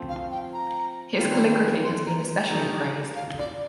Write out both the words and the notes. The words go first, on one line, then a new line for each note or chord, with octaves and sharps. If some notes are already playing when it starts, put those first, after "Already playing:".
His calligraphy has been especially praised.
Already playing: F3 A3 C4
F5
G5
A#5
D#3 G3 C4 F4
C6
A#5
A3 D#4 G4 A#4
F5
D5